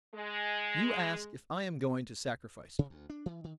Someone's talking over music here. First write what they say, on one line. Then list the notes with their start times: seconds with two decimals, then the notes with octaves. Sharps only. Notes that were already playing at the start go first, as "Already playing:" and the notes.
You ask if I am going to sacrifice you.
0.14 G#3
2.79 C3
2.90 D2
3.10 D4
3.26 E3
3.44 D#3